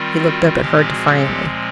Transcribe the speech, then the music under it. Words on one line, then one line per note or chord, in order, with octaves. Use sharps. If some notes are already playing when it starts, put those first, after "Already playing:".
He looked up at her defyingly.
Already playing: D#3 G3 C4 F4
F#4
A#2 F3 G#3 C4 G4
F#4 G#4
G4 A4